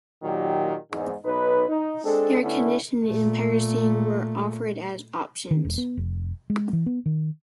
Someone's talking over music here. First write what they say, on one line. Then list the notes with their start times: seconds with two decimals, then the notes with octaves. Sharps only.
Air conditioning and power steering were offered as options.
0.23 A#2 D#3 F#3 A#3 G4
0.92 E2 G#2
1.25 B1 D#4 B4
1.69 D#4
2.04 G#3 C4 D4 A4
2.43 D3 A3 B3 C#4 E4
3.05 A#2 A3
5.51 D#3
5.65 E1
5.78 B3
5.97 F1
6.50 G#3
6.73 E3
6.86 B3
7.06 D#3